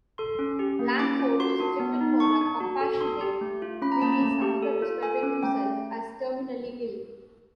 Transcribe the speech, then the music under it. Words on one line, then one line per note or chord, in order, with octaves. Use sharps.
Langford was rejected for a compassionate release after describing himself as "terminally-ill".
A4 C6
C#4
G4
A#3
C#4 D6
F4
F#4 C6
D4
B3
D#4
D4 C#6
D4
F#4
A4
D4 C6
G4
A3
F4
C#4 B5
A#5
A#3 A5
A5
A3
G4
A4
F4
A4 G#5
C#4
A3 G5